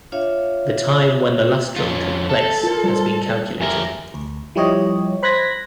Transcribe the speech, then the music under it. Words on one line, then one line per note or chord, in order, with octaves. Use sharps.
The time when the lustrum took place has been calculated.
D4 F4 C#5 E5 F5
F2 C#4 F4
A4
F4 A#4
G3 F4 C5
F2 F4 G4 A#4 E5 G#5
D2
F3 G3 E4 G4 C#5 D#5
C5 B5 F#6 G#6 A#6 B6